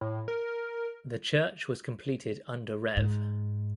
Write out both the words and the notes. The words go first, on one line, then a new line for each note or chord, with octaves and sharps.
The church was completed under Rev.
A2
A#4
G#2